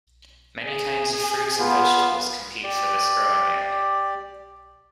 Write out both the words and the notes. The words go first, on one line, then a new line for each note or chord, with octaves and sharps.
Many kinds of fruits and vegetables compete for this growing area.
G#4
B3 F4
G4 D5